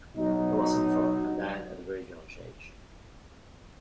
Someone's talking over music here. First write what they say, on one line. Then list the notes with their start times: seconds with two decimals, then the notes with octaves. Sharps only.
He was infirm and died at a very young age.
0.17 B2 F#3 D#4